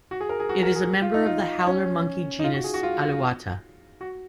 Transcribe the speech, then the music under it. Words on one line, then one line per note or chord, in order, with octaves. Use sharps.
It is a member of the howler monkey genus "Alouatta".
F#4
G#4
A#4
G#4
F#4
A#4
G#4
F4
D#4
F4
D#4
C#4
D#4
F4
F#4
G#4
F#4
F4
F#4